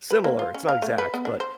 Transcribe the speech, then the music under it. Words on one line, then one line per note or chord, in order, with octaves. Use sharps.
similar, it's not exact, but
B4
A#3
F4
C#4
F5
A3
B4
B3
D4
C5